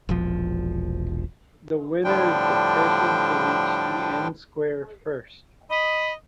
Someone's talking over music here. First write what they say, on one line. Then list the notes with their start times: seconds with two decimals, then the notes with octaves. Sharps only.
The winner is the person to reach the end square first.
0.09 E1 A#1 F3
2.04 A2 D3 F3 G3 D4 G5
5.70 D#5 B5